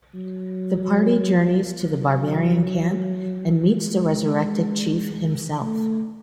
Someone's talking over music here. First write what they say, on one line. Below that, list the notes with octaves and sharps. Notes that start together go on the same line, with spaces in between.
The party journeys to the barbarian camp and meets the resurrected chief himself.
F#3
F#3
G#3
A3